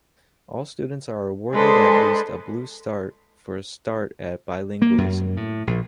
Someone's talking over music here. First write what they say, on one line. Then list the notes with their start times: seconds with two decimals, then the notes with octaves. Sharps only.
All students are awarded at least a blue start for a start at bilingualism.
1.53 G#3 D4 G#4 A4 B4 C5
4.82 A#3
4.98 F#2
5.37 A2
5.67 A#1